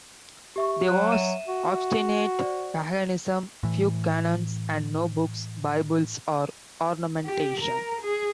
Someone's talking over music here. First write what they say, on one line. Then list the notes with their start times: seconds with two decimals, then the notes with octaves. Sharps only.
There was obstinate paganism, few canons, and no books, bibles, or ornamentation.
0.56 G4 E5 C#6
0.88 F#3 F#6
1.12 E5 D#7 E7
1.48 F#4
2.39 C5 D5
3.63 A2 E3
7.26 G4
7.61 A#4
8.01 G#4